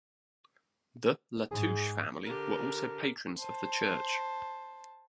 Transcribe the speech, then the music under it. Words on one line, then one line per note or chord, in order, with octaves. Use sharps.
The La Touche Family were also patrons of the church.
G#2 G#4
D3 G4 A#4
C5 A5